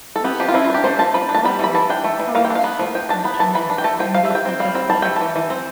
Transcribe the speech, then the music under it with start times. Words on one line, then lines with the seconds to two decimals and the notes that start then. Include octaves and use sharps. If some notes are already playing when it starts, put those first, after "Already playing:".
You seem to have forgotten how you softened to me in the heat of propaganda.
0.16 A4
0.24 B3 G4
0.40 F3 G4
0.48 F4
0.54 F3 E4
0.65 F4
0.70 D4 G4
0.84 A3 C5
0.99 F3 A5
1.14 F3 B5
1.29 D4
1.34 A5
1.45 G3 B5
1.59 E3 B5
1.74 E3 A5
1.89 D4 G5
2.04 A3
2.20 E3
2.35 E3 F5
2.45 G5
2.50 D4
2.55 F5
2.64 B3
2.79 F3
2.95 F3 G5
3.09 D4 A5
3.24 B3 B5
3.39 E3 A5
3.54 E3 B5
3.70 D4
3.78 G5
3.84 A3 A5
3.99 F3 G5
4.14 F3 F5
4.25 E5
4.30 D4
4.35 G5
4.45 C4 G5
4.60 G3 F5
4.74 C4 G5
4.90 G3 A5
5.02 A3 G5
5.16 E3 A5
5.36 E3
5.50 C4